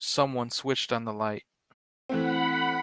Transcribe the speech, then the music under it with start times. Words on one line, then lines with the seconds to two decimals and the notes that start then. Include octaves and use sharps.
Someone switched on the light.
2.09 E3 A3 C4 F#5 B5